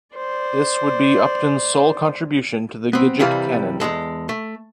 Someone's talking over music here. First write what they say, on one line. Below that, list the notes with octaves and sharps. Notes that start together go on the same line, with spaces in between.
This would be Upton's sole contribution to the Gidget canon.
C5 D5
B3 C4
C2 C3 E3 G3 F5
E2 G2 G#3 A4
A3